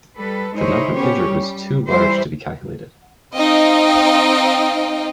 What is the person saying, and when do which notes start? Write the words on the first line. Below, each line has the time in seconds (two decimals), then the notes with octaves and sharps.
The number injured was too large to be calculated.
0.18 G3 A4 B4
0.55 G#3 D#4 E4 C5 C#5
0.96 B3 C#4 G4 C#5
1.25 G3
1.88 E3 G3 E4 C5
3.37 C4 D#4 D#5 F5 G5